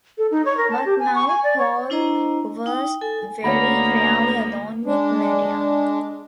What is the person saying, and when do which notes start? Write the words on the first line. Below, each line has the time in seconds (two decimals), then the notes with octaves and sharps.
But now Paul was very rarely alone with Miriam.
0.18 A4
0.31 D#4
0.45 C#5
0.57 A#4
0.71 A5
0.86 G4
1.00 G#5
1.15 C#6
1.28 G#5
1.44 D5
1.59 C#5
1.90 D4 E4 C5 D#5 A#5
2.66 D#4 G5 D#6
3.01 A4 G#5
3.44 D2 A#3 B3 C#5 F#5 A#5 B5
4.86 G#3 D4